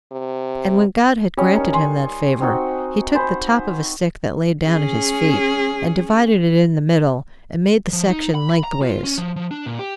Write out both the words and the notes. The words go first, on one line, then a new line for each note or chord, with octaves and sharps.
And when God had granted him that favor, he took the top of a stick that lay down at his feet, and divided it in the middle, and made the section lengthways.
C3
G3 C#4 D#5
D#4 A#4 C#5
G#5 C6
C4 D#4 F#4
C5 G#5 B5
C#4 G#4
F3
D#4
B5
B5
A#5
F4
C#4
F3
F3
D4
A#2
G4